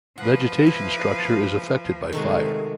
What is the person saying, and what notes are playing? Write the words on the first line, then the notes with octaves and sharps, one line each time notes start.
Vegetation structure is affected by fire.
F3 B4 F#5
E4
C3 D#3 G#3 A3 F#4